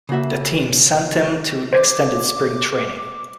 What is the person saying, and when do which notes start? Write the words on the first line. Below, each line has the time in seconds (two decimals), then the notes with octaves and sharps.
The team sent him to extended spring training.
0.09 C#3 A#3 F#4 E5
1.73 C5 D6 G#6